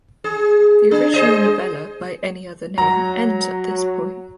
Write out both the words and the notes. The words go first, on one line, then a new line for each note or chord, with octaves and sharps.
The original novella "By Any Other Name" ends at this point.
G#4
D4 G#4
G#4 C5 D#5
F#3 A#5